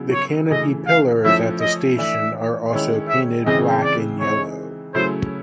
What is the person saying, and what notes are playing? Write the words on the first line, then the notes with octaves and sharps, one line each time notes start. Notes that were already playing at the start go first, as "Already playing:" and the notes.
The canopy pillars at the station are also painted black and yellow.
Already playing: C#3 F#3 B3 E4
C#5
C#3 E3 A3 D#5
F5
F3 A3 C#4 E4 E5
D#5
E3 A3 D4 E5
D#3 G#3 C#4 E4
E5
C#3 E3 G#3 C4 D#5
D5
E3 G#3 C4 D#4 C#5
C#3 F#3 A3 C#4 E4 C5